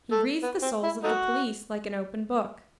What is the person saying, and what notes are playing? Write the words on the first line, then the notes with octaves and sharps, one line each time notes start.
He reads the souls of the police like an open book.
A3
B3
C4
E4
A3 D#4 F#4